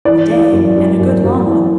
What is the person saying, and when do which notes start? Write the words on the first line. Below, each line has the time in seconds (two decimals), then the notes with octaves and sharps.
"A day, and a good long one."
0.05 E3 D5
0.30 E3
0.52 F#2
0.76 F#2
0.99 F#2
1.24 F#2
1.46 E3